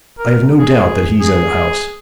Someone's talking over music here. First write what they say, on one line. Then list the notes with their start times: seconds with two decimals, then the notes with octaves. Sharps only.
'I have no doubt that he's in the house.'
0.19 A#4
0.59 G#4
1.21 G#4